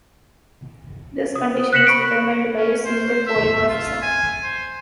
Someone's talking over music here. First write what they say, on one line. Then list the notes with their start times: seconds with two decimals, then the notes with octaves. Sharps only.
This condition is determined by a single polymorphism.
1.36 D#6
1.54 C5
1.73 F#6 A#6 B6 C#7 E7 F#7
1.87 B5 C#6 C#7 D7
2.57 C#4
2.86 C5
3.27 E5
3.69 F4
4.02 G#5
4.44 C5